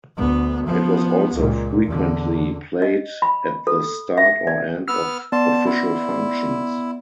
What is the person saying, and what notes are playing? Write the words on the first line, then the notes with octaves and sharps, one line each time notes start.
It was also frequently played at the start or end of official functions.
D2 B3
F3 B3
C#2 A#2
E2 D3
D#5
B5
A4
E5
D5
B3 E6 F6
B3 D5 A5 C6
E4